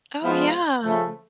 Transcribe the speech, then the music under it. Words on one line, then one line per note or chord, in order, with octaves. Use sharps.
Oh, yeah.
F3 G#3 B3 F4
C#3 F3 A3